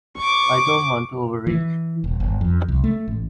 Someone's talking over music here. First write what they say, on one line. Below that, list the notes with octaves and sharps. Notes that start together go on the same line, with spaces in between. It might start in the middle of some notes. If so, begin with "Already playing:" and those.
I don't want to overreach.
C#6 D6
E3
E1
G1
F2
C2
A3
A1